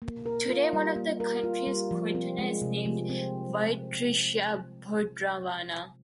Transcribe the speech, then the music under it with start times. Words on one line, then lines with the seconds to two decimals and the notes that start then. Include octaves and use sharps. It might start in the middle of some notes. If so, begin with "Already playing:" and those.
Today, one of the counties in Croatia is named Virovitica-Podravina.
0.02 A#3
0.26 A#4
0.49 F4
0.73 G3
0.96 A#3
1.20 A#4
1.43 F4
1.67 G3
1.91 F3
2.15 C4
2.39 G#3
2.62 C3
2.86 F3
3.09 C4